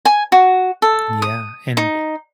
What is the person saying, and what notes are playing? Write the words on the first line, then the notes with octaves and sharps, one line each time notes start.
Yeah, and
G#5
F#4
A4
D#6
D#4